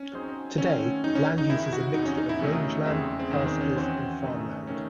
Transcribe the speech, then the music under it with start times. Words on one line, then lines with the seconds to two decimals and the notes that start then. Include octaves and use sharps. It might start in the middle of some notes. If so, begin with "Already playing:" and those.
Today, land use is a mixture of rangeland, pastures, and farmland.
Already playing: C#4
0.13 F#3 C4 D#4 G#4 C5
0.58 D#3 A3 C4 C#4 F#4 A4
1.04 E2 C#3 F#3 D#4
1.15 C#4
1.38 D#4
1.50 F#2 D#3 G#3 E4
1.73 F#4
1.94 E2 C3 F#3 D#4
2.05 C#4
2.17 D#4
2.29 E4
2.40 C3 D#3 F#3 A3 C#4 D#4
2.85 E2 C#3 G#3 C4 E4
3.19 C4
3.30 E2 D#3 G#3 C#4
3.46 C4
3.61 C#4
3.76 E3 C4 F#4 C5
4.22 C3 D#3 A3 D#4
4.67 D#3 A3 C#4